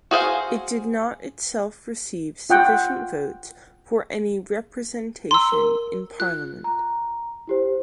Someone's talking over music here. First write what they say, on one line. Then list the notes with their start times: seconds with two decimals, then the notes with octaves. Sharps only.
It did not itself receive sufficient votes for any representation in Parliament.
0.11 F#4 G#4 C5 F5
2.50 F4 F#5 G5
5.31 A#5 C6 E6
5.52 A#4
6.20 F4 F#6
6.64 A#5
7.47 E4 G4 C5